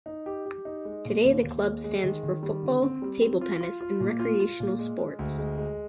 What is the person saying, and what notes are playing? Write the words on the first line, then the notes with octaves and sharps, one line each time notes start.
Today the club stands for football, table tennis and recreational sports.
D#4
G4
G4
D#4
G#3
A#2
D#2
D#2
G#3
G#3
D#3
D#3
G3
D3
C4
G3
C4
F4
F4
F4
A#2
F4
F4
A#2
G#3
G#3
D2
G#3
G#3